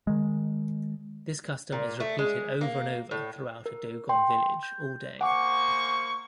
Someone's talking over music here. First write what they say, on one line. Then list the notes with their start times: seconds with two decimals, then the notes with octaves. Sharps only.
This custom is repeated over and over, throughout a Dogon village, all day.
0.07 D#3 G#3
1.72 A#2
2.00 A3
2.19 G#3
2.61 A#3
3.11 A2
3.66 A#4
4.09 G5 C6
4.63 G6
5.21 A#3 C5 F#5 G#5 C#6 D6